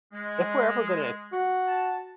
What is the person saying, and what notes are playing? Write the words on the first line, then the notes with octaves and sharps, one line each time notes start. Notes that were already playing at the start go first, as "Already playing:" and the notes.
if we're ever gonna
G#3
F#4
A5